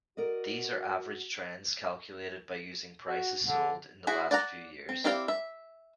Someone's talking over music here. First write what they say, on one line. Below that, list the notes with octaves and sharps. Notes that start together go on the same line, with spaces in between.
These are average trends calculated by using prices sold in the past few years.
F#4 A#4 D5 D#5
F#4
D3
E4 F#4 G#4 C5
D5 F#5 A#5
C4
C4 E4 G4 D5 F5
E5